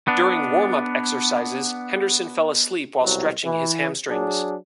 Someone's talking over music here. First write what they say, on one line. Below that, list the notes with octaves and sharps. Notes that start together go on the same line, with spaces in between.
During warmup exercises Henderson fell asleep while stretching his hamstrings.
B3 D4
C2 B2 F#3
E3
F#3 D4 G#4